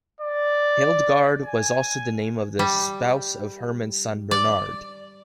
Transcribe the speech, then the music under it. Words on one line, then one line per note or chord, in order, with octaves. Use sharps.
Hildegard was also the name of the spouse of Hermann's son Bernard.
D5
G#5
G3
D5